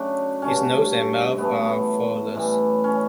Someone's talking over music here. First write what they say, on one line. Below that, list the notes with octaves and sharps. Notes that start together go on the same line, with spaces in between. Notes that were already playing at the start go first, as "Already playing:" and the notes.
His nose and mouth are faultless.
Already playing: C#3 F#3 A3 D4
G2 F#3 A3 C#4
A2 E3 A3 B3
A2 E3 G3
C#4